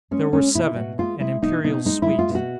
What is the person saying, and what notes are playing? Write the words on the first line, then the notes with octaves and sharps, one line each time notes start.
There were seven--an imperial suite.
G#3 C#4
G#3 C#4
B2 E4
B2 F#4
G#3 F4
G#3 E4
B2 D#4
B2 D#4
G#3 D#4
E4
G#3
F4
B2
F#4